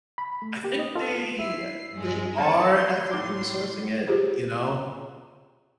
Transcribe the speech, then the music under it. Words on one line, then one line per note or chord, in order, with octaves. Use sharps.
I think they they are ethically sourcing it, you know,
B5
A3
A#3 G4
D#5
F4 A4
E4 C7
G2 G#3
F2 C5 C#5 A5
C6
A2 D6
F4 G4 G#4 C5